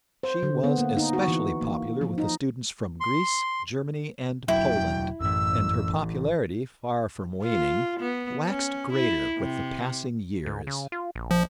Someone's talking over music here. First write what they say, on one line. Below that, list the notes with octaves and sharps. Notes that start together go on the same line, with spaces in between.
She was especially popular with the students from Greece, Germany and Poland, and her popularity, far from waning, waxed greater with the passing years.
C5
D3
B3
A#3
D#4
F#4
E3
A#3
F3
D#4
C6
E1 F#3 E4 G5
A1 F#2 E3 E6
F4
B3
C#4
E4
C3
G#2
C#3
F4
A#1
F3